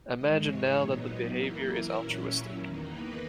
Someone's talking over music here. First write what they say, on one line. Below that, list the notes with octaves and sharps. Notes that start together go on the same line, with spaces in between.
Imagine now that the behavior is altruistic.
G#2 E3 G#3 D#5
C#5
A#2 F#3 B3 D#4
F#2 E3 A#3 E4 A#4
A#4
A#2 F#3 C#4 E4
E2 D#3 A#3 D#4
B4